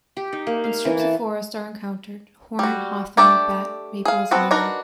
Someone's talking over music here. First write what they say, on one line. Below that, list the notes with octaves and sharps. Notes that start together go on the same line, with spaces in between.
In strips of forest are encountered: horn, hawthorn, bat, maples and other.
G4
D#4
A#3
F5
E3
A5
G3 F#4
A3 D4 G4 A4 D5
G#4 F5
B3 C4 F#4 A4 B4
D4 D#4 F#4 A#4 B4